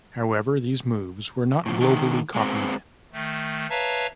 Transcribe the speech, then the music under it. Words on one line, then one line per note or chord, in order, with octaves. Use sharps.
However these moves were not globally copied.
A2 F3
D3 D#3 G#3 B3
G#3 B3 C4
D#3 A3
B4 C#5 E5 F5 A5 A#5